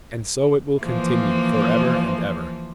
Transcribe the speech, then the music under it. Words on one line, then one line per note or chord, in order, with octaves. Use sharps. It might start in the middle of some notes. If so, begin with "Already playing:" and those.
And so it will continue for ever and ever.
E3 F3 A#3